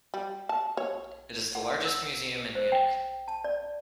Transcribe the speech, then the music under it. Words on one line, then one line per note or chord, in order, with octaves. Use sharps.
It is the largest museum in Munich.
G3
A5
C#5
F#5
E6
C5
G5
A5
D5